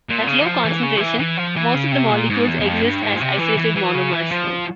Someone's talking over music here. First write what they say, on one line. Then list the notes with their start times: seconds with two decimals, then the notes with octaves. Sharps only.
At low concentration, most of the molecules exist as isolated monomers.
0.09 A#2
0.27 C#3
0.41 E3
0.46 F3
0.65 E3
0.83 C#3
0.97 F3
1.01 E3
1.19 E3
1.37 F3
1.56 E3
1.75 C#3
1.92 C3
2.11 A#2
2.30 G#2
2.47 E2
2.60 E2
2.66 F2
2.84 G2
3.02 G#2
3.13 A#2
3.21 C3
3.39 E3
3.57 E3
3.76 E3
3.95 C#3
4.13 E3
4.31 F3